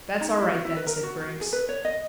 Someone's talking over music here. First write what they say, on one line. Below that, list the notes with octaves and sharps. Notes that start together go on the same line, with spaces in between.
"That's all right, then," said Griggs.
D#4
E4
F#4
E4
B4
A#4
F#4
F#4
G#4
B4
C#5
D#5